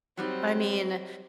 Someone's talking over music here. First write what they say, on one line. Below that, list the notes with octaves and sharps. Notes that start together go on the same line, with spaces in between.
I mean,
F#3 G3 C4 D#4